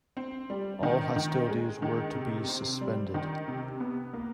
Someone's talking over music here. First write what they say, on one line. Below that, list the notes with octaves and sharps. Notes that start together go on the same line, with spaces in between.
All hostilities were to be suspended.
C4
G3
D#3
D#3
G#3
D#3
C3
C4
G3
D#3
C3
B3
A#3